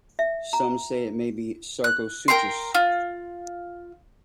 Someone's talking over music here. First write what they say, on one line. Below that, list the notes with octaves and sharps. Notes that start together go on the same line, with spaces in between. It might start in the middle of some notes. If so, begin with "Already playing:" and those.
Some say it may be Sarcosuchus.
E5
A#5
F#6
A#4 G5 A#5 C6
F4